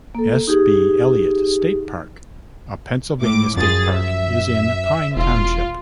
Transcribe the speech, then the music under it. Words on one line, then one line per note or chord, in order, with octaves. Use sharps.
S. B. Elliott State Park a Pennsylvania state park is in Pine Township.
A#3 A4
D#4 G4 G#4
A2 D6
F#2 F3 G#4 A6
E5
E1 F4